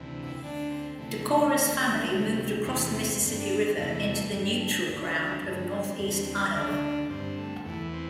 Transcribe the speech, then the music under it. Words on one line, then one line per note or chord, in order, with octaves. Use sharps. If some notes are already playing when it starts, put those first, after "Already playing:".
Decorah's family moved across the Mississippi River into the "Neutral Ground" of northeast Iowa.
Already playing: D2 C3 E3
E4
D2 D3 D4
C4
D2 C3 E3 A3
A3
D2 D3 A3
A3
C4
D2 C3 E3 A3
E2 C3 E3 A3
A3
C4
G2 D3 C4
D4
C4
E2 C3 E3 A3
A3
G2 D3 G3
A3
D2 D3 E4
C4
D4
C4
G2 D3 A3
C4
E2 D3
D2 D3 D4
G2 D3 C4
A3
E2 E3 A3
C4